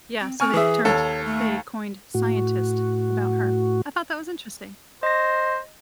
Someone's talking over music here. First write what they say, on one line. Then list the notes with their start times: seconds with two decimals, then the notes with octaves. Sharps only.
Yeah, so they termed they coined "scientist" about her. I thought that was interesting.
0.20 C4
0.40 C4 G#5 C#6 F6
0.54 E3 G#4 E5
0.85 D#2 A4 C#5
1.24 A3
2.14 A2 F#4
5.03 C5 D#5 A#6